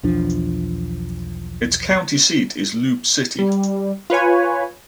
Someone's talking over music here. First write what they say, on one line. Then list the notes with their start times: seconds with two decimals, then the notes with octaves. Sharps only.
Its county seat is Loup City.
0.03 B1 E2 F3 D4
3.39 G3
4.10 F4 B4 C#5 G#5